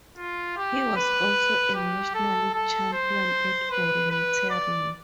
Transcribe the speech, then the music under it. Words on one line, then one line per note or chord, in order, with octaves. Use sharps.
He was also a national champion at orienteering.
F4
G4
B4
G4
A4
A4
C5
B4
B4
D5